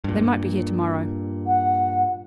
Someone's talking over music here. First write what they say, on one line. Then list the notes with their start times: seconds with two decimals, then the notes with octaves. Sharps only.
They might be here to-morrow.'
0.04 G2 A#2
1.46 F#5